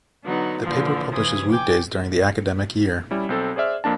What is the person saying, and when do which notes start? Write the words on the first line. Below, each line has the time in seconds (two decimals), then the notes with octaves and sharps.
The paper publishes weekdays during the academic year.
0.24 D3 F#3 B3 D#4
0.61 A#2 D3 E3 F3
1.10 F2 C#3 E3 D#6 G#6
1.50 G5 G#5 D6
3.11 G3 C#4 E4
3.29 B1 C4 A4
3.56 G#4 C5 D5 E5 F6
3.84 F2 A#3 D4 A5